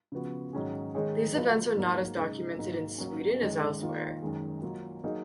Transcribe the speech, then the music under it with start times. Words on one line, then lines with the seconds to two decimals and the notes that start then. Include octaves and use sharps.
These events are not as documented in Sweden as elsewhere.
0.12 C#3 F3 B3 F#4
0.53 G#2 D#3 F#3 C#4 G#4
0.95 D#3 G#3 D#4 G#4 C#5
1.34 F#3 B3 F4 B4 D#5
1.76 G#2 F#3 A#3
2.16 C#3 G#3 D#4
2.58 G#2 F#3 A#3
2.98 F#3 A#3 C#4
3.39 F#2 D#3 G#3
3.81 D#3 A#3 F4
4.22 F#2 D#3 G#3
4.62 F#3 A#3 F4
5.04 F#3 A#3 D#4 G#4